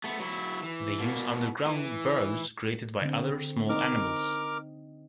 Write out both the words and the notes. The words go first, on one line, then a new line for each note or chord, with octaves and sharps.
They use underground burrows created by other small animals.
A3 B3
F#3 E4
E3
B2 A#3
E3
D3 C4
C4 D#4 A#4 D#5 D6 F6